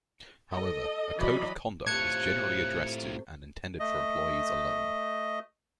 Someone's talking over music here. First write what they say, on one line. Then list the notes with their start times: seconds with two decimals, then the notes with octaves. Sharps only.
However, a code of conduct is generally addressed to and intended for employees alone.
0.52 A4 D#5
1.18 E3 F#3 D5 D#5 B5
1.86 A2 C3 A3 F4 F#6 G#6 C#7
3.80 A3 D#5